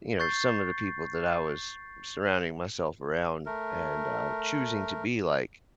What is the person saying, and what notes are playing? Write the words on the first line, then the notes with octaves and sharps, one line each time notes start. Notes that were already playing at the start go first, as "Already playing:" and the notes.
you know, some of the people that I was surrounding myself around and, uh, choosing to be like,
C#6 G6 A6 C7
A3 A#4